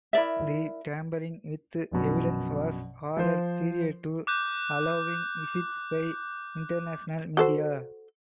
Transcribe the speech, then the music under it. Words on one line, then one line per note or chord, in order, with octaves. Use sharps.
The tampering with evidence was ordered prior to allowing visits by international media.
E4 A#4 D5 E5
A#1 F#2 B2
F3 C5
D6 F#6 G6
F#4 A4 C5